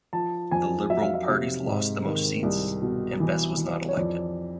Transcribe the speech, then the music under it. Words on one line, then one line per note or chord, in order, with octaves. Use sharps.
The liberal parties lost the most seats and Bes was not elected.
F3 A5
F2 G#5
F#3 E5
F5
E5
C3
G#2
D#3
C2
B2
E3
E3
C#5
F2 D5